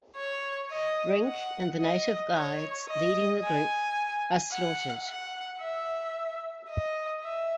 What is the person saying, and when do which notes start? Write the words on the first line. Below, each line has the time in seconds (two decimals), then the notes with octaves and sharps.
Brink and the native guides leading the group are slaughtered.
0.17 C#5
0.71 D#5
1.25 F#5
1.80 D#5
2.35 C#5
2.88 D#5
3.44 G#5
4.52 F#5
5.06 F#5
5.61 E5
6.70 D#5
7.24 E5